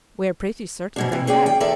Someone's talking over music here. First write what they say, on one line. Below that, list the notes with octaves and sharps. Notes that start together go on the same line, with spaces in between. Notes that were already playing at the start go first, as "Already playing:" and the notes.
"We are pretty certain they have."
G#2 B2 D4
C3 E3
C#4 G#4 D5 G5
G5
E2 D#3 A4 D5 E5